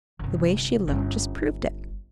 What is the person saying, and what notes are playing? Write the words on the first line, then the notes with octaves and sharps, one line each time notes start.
The way she looked just proved it.
G1 C3
G1 C#4